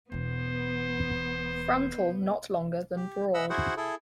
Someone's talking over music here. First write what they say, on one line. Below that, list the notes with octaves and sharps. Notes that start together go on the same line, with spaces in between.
Frontal not longer than broad.
E1 E3 B3 C5
G4
D#5 F#5 B5 E6
E4 F#4 G#4 C5 F#5
E4 G#4 A4